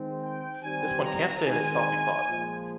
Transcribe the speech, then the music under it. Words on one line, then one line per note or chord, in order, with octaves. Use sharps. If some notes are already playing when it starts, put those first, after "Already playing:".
This one can’t stay in its coffee pot!...
Already playing: D#3 G#3 C4
G5
D#3 G3 C4 G#5
A#5
D#3 G#3 C4 G#5
A#2 F3 G#3